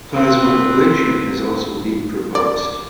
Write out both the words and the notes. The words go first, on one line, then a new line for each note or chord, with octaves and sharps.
Plasma ablation has also been proposed.
C4 B4
D5